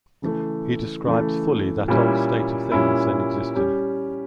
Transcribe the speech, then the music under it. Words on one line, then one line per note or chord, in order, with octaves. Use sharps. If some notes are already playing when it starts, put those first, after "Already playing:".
He describes fully that old state of things then existing.
C#3 E3 A3
C#3 E3 A3
A#2 G3 C#4 E4
A#2 G3 C#4 E4
G3 C#4 G4